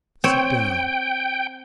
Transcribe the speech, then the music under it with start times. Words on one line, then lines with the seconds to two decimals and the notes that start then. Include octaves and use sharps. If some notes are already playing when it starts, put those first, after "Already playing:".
Sit down.
0.24 C4 C#5 G5